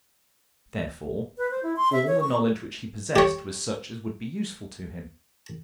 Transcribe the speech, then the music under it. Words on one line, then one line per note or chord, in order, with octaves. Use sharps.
Therefore all the knowledge which he possessed was such as would be useful to him.
B4
C5
E4
C6
E5
C#5
C#6
G4 C#5